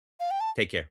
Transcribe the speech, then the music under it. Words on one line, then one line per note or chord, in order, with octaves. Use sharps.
Take care.
F5
G5
A5